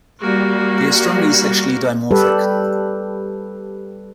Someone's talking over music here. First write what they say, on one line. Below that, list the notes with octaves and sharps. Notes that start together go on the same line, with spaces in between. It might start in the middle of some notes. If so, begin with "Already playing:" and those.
They are strongly sexually dimorphic.
G3 A#3 F#4
G3 G4 A4 B4